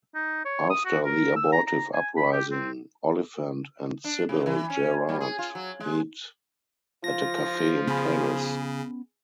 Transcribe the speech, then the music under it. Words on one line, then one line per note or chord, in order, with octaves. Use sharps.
After the abortive uprising, Oliphant and Sybil Gerard meet at a cafe in Paris.
D#4
C#5
D#6
F#4
A#4
E6
A#5
A#5
G#5
B5
G4
C4
D4
C3
E3
C#4
G3
G#4
F4
F#3
G#3
F3 F4 A#6
C#3 B3 C#4 G#4 B5